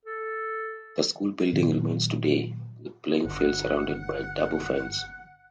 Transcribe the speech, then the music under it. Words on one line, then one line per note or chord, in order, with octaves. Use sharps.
The school building remains today, with playing fields surrounded by a double fence.
A4
A#2 D#3 F#3
G1 F#5